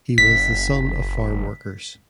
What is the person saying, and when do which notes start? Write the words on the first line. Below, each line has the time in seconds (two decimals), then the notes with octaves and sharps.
He was the son of farm workers.
0.18 F#1 B6